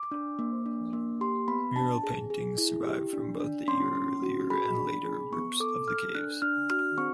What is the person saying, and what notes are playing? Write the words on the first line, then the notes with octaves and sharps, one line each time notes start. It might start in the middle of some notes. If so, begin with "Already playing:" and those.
Mural paintings survive from both the earlier and later groups of the caves.
Already playing: D6
D4
A#3
D4
A#3
G4 C6
B3 B5
D4 A5
G#4
G#4
E4
G4
D4
D4
C#4 C6
C#4
F#4
G#4 B5
D4
G#4
B3 C#6
A4 D6
A4 F6
D4 F#6
D4 F6
F#4 F6
C4 C#6